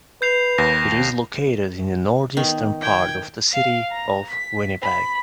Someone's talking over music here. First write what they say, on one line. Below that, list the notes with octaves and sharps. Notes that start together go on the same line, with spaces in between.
It is located in the northeastern part of the city of Winnipeg.
B4 G6 C7 F7
D#2 A#6
D#3 B3
G5 G#6
F5
A#5
B6
B5